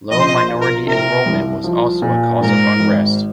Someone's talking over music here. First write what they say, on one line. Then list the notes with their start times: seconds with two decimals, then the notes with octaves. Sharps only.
Low minority enrollment was also a cause of unrest.
0.11 A#1 D#5
0.19 C5
0.26 D#5
0.35 C5
0.48 F4
0.61 A#4
0.87 C3 A#4
1.26 C2
1.64 F3
2.02 A#2
2.41 G#2 A#4
2.79 G#1